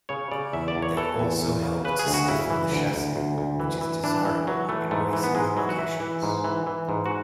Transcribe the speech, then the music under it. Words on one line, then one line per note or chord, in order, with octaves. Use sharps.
They also help to stiffen the chassis, which is desirable in racing applications.
C#3 C#5
C#3 D5
E2 E5
D5
E2
C#5
E3 A4
E2
E2
C#3
C#3 B4
G#4
D2
F#4
C#3 E4
E3
D2
D2
D2
D2
E3
E3
E3 D4
E3
E3 F#3
E3 A3
G#2 A3
E3
B3
G#2 G#3
E3 F#3
F#4
E3 E4
E3
G#2
E3
E3
G#2
F#4